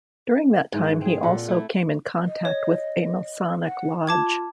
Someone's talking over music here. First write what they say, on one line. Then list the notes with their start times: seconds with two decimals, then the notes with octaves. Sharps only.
During that time he also came in contact with a Masonic lodge.
0.73 G#2 E3
1.01 C4 G#4
1.23 A#2 A4 F#5
1.48 A3 E4
2.26 D#5
2.45 C#5
3.64 F#5
4.07 F4 A5 D6 G#6